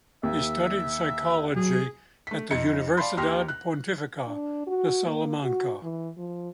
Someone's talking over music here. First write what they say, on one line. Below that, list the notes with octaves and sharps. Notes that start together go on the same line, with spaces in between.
He studied psychology at the Universidad Pontificia de Salamanca.
D#2 E5
F#3 G#4
A3 B6
F2 D#4 C#7
D5 F5 A5 B5 C6
D#2 G4 C6 F6 A#6
F#6
D4
F#4
A#3
F#4
E3
F3